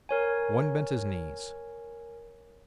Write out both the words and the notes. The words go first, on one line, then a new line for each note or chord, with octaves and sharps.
One bent his knees.
A#4 C#5 G#5